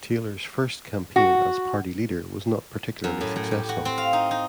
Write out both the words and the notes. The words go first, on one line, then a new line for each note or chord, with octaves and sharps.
Taylor's first campaign as party leader was not particularly successful.
F#4
F#2
A2
A2
G4
F#4
C4
F5
D#4
D#4